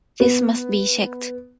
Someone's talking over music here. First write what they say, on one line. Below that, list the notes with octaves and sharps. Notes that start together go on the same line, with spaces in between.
This must be checked.
B3